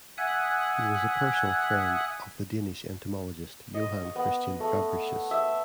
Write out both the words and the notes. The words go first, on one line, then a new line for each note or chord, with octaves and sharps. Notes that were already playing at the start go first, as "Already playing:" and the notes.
He was a personal friend of the Danish entomologist Johan Christian Fabricius.
E5 F#5 G#5 D#6 F#6
D#5
C#6
B3
A3
E5